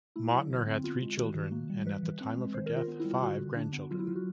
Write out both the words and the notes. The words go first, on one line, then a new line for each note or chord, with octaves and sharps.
Mautner had three children and at the time of her death five grandchildren.
A3 E4
F#3
D3
C4
B3 F4
G#3
D#3 F#4
D#3
A#3
G3
E3 B4
E3
C4
G#3
D#3 C5
D#3 A#4
F4
B3
E4
G3
F4
D3 F#4
D3
D4
B3
F#3 F4
E4
F#3 F4
F#4